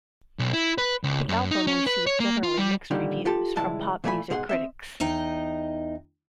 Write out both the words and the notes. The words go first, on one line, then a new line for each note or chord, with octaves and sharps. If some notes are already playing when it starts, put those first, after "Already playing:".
The album received generally mixed reviews from pop music critics.
B1
E4
B4
C#2
F#2
D#4
C#4
B4
C#5
A#3
F4
G3
G2 A#2 D3 D#3 G3 D#4
F4 G4 A4 A5
C#2 G2 E3 G#3 E4 A5
A#2 E3 A3 C#5 G#5 B5
G#2 B2 G#4 F#5 C6
C4 D#5 E5
E2 D#4 D#5 G5